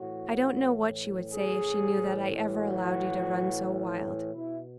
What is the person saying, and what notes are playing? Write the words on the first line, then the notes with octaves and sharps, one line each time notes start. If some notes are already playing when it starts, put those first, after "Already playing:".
I don't know what she would say if she knew that I ever allowed you to run so wild.
Already playing: A2 E3 F#4
G#4
A2 E3
F#4
B2 E4